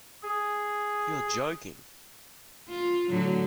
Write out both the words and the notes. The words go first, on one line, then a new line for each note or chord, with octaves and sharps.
You're joking!.
G#4
F4
A2 D3 F#3